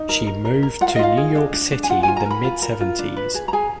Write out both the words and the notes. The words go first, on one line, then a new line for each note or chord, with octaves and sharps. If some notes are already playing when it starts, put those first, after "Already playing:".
She moved to New York City in the mid-seventies.
Already playing: D#4
A#4
A#4
A#4
A#4
F4 F#5
F5
D#5
F4 F5
G#4
D4
D4
D4
G#5
F4 F#5
F4 G#5
A#5
A#4 B5
F4
A#4
F4
D4
B4
G#4
A#5
G#4 G#5